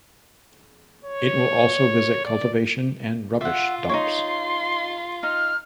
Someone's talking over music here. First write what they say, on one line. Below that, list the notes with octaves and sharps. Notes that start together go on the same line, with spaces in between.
It will also visit cultivation and rubbish dumps.
C#5
D5
F4 E5 F#5
D#4 E4 C#5 C6
D#4 F6